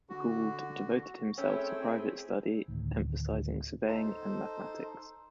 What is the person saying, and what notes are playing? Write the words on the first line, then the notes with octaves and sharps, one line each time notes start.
Gould devoted himself to private study, emphasizing surveying and mathematics.
D3 F#4
A3 C4 C#4 E4 G#4 E5 G5
D2 A2 D#3
D#4 A4 C5